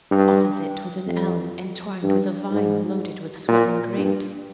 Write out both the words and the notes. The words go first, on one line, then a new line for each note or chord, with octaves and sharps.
Opposite was an elm entwined with a vine loaded with swelling grapes.
G2
F2
G2
G#2
A#2
G2